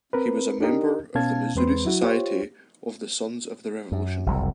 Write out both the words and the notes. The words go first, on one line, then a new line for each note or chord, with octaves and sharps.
He was a member of the Missouri Society of the Sons of the Revolution.
C4 A#4 B4
D4 D#4 G4 A#4 D#5
B2 B3 C#4 F5 A5 G#6
E2 G#3 C4 B4 C6
F#3 E4 F#4
F4 G4 C5 C#5
F#2
F#1 C2 F2